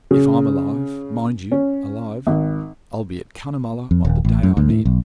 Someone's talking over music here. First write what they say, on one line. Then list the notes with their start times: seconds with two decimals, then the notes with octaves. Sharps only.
If I'm alive--mind you, alive--I'll be at Cunnamulla on the day I mean.
0.11 C#3
1.52 C#4
2.27 G#1
3.91 F2
4.05 D#1
4.25 A1
4.43 F#2
4.57 D2
4.70 A2
4.85 B1